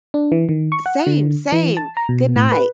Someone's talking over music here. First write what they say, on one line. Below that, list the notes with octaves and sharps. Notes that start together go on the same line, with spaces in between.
Same, same, good night.
D4
E3
D#3
C#6
F#5
D3
E3
A5
A#5
B2
A2
B4